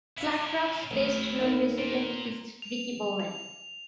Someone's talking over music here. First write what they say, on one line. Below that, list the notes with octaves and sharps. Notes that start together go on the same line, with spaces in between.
Flat Rock's best known resident is Ricky Bowman.
C#4 E4 E5 F5
A1 D#3 E4
D#2
A#2
F7
F7